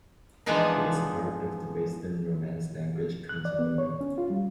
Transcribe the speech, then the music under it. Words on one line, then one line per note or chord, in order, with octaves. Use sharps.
It is part of the Western Romance language continuum.
E3 F3 G#3 B3 D4 D#4
F#6
D5
B3
C#5
C#4
F4
G3